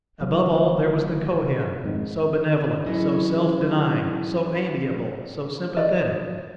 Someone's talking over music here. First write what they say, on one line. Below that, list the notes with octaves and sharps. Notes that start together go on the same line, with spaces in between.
Above all, there was the Kohen, so benevolent, so self-denying, so amiable, so sympathetic.
D1 D2 F#3 B3
F2 G#2 D#3 G#3
E3 F#3 C#4 E4 G#4 D#5
D5 D#5